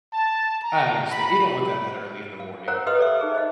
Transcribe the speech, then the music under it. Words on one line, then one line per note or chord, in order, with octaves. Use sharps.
I understan you don't want that that early in the morning.
A5
A#5
B5
F5
A#4 C5 C#5 F5 F#5 A#5
G4 B4 D#5 F5 C6 D#6
A4 D5 E5
D#4 G#4 A#4
C5 D#5 F5